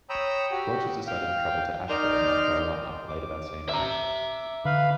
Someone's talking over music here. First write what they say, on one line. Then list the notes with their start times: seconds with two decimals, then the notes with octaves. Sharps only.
Rodgers decided to travel to Asheville, North Carolina, later that same year.
0.10 C#5 G5 A#5 B5 D#6 E6
0.51 F#4 G4
1.07 F5 G5
1.89 D#4 A#4 D5 C6 F6 G6
3.08 D6
3.69 E5 A#5
4.65 D3 B4 F5 B5